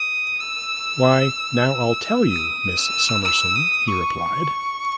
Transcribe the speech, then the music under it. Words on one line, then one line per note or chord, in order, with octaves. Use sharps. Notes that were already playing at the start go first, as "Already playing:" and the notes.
"Why, now I'll tell you, Miss Summerson," he replied.
Already playing: D#6
E6
D#6
E6
E6
D#6
C#6